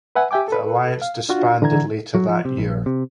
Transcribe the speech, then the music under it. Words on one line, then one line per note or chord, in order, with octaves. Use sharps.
The alliance disbanded later that year.
B4 E5 F#5 G#5
G4 E5 G5 G#5 D6
A4 B4
F5
D4 F4 F#4
D3 E3 A#5 G#6
F#3
F3
C3
A#1
C3